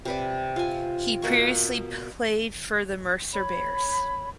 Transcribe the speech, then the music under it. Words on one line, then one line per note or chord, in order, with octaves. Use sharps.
He previously played for the Mercer Bears.
C3 B4 D5
F4 G#5
B2 A#3 C#6
C#5 B5